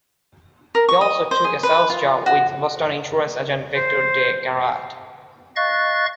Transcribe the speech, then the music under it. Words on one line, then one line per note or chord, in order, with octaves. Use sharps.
He also took a sales job with Boston insurance agent Victor De Gerard.
A#4
C#6
D#5
C5
G#4
B4
F4
F#4
C5
D#5 F5 C#6 F#6 A6